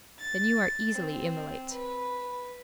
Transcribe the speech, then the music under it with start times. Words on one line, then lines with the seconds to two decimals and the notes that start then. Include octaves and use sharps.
Then you are easily immolate!'
0.19 A6
0.93 C4
1.72 B4